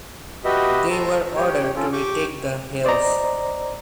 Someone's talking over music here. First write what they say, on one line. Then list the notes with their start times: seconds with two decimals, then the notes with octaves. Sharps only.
They were ordered to retake the hills.
0.45 F#4 G4 B4 D#5 E5
0.91 A4 A#5 C6 C#6
1.36 G4 C#5 G5
1.76 C#4 F4 A4
1.93 G4 G5 C#6 D6
2.85 C5 D5 D#5 A#5